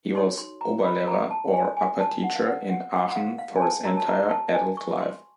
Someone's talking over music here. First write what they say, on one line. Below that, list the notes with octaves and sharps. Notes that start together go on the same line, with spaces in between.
He was Oberlehrer, or upper teacher, in Aachen for his entire adult life.
D#4 F#4 A4 C#5 C6
C6
A#5
B5
A#5
A5
G#5
G#5
A5
F#5
F5
F#5
F#5
F#5
F#5
F5
F5
G#5
A5
F#4 A#4 C#5 A#5
A5
A#5
A5
G#5
C#6
C6